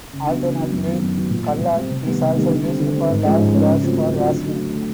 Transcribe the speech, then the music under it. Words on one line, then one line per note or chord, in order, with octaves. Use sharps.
Alternatively, "kallal" is also used for large jars for washing.
C#3
F#3 B3 D4
C#3
F#3 B3 D4
F#2
D#3 F#3 B3
F#2
D#3 F#3 B3
A#2
G3 C4
A#2
G3 C4
C3
D#3 G3 B3
C3
D#3 G3 B3
D3
G3 C4
D3
G3 C4
G#2
F3 G#3 C#4
G#2
F3 G#3 C#4
C#3
F#3 A3 C4 F4
C#3
F#3 A3 C4 F4
D3
F#3 A3
D3
F#3 A3